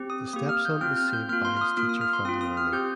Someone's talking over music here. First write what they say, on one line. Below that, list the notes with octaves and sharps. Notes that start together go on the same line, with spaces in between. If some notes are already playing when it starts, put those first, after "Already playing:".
The stepson is saved by his teacher from the army.
Already playing: C4 G4
D#6
A#3 G4 D#6
F6
G6
C4 F4 F6
F6
G6
A#3 F4 F6
C6
F6
D#6
A#3 F4 F6
D#6
F6
C6
C4 F4 D#6
D#6
F6
C4 G4 G6